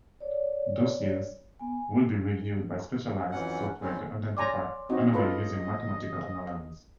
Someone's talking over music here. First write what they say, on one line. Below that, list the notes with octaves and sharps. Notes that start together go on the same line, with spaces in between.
Dossiers would be reviewed by specialized software to identify anomalies using 'mathematical analysis.
C#5 D5
B3 G#5
F2 E3 F#3 C#4 F#5
F#2 D#3 G3 C4 C#4
C#5 D5 G#5 A#5 C6 D6
C4 D#4 F#4 D#5
F4 A4 B4